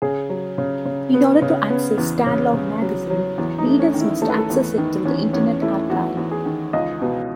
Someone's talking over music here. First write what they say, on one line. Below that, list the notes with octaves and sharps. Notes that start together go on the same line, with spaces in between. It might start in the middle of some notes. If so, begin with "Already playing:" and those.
In order to access Starlog magazine, readers must access it through the Internet Archive.
C#3 G#4
F#3
C#3
C#3
B3
C#3
B3 C#4
E2
C#3
C#3
F#3
F#3
E2
D#4
A3
C#4
D#3
E4
A3 A4
B4
A4
E2
D#3
E2 C#4
E2 C#4
A3 E4
E2 F#4
E2
G#4
D#3
C#2 D#5
B2